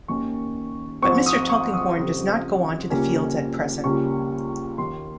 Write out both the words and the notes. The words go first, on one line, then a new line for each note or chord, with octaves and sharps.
But Mr. Tulkinghorn does not go on to the Fields at present.
D#2 D#3 A#3 C#4 C#6
G#2 F3 C4 C#6
D#6
C#6
D#6
F2 C#3 G3 C4
C#2 C#3 G3 A#3 C#4
C#2 C#3 G3 A#3 C#4 C#6
D#2 D#3 A#3 C6